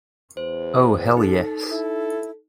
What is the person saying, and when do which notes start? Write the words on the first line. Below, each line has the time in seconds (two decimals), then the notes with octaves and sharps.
Oh hell yes.
0.37 E2 C5
1.17 D#4 A4
1.69 E4 A4